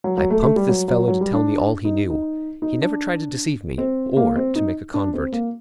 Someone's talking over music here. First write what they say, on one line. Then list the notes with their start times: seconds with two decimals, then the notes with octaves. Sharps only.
I pumped this fellow to tell me all he knew: he never tried to deceive me, or to make a convert.
0.04 F#3
0.17 F#3
0.30 A3
0.43 A3
0.56 G3
0.69 F#3
0.88 F#3
1.08 F#3
1.21 G3
1.33 D4
1.85 D#4
2.10 D#4
2.62 D#4
2.82 D4
3.78 C4
4.17 A#3
4.36 C4
4.55 D#4
4.94 D4
5.14 C4
5.32 A#3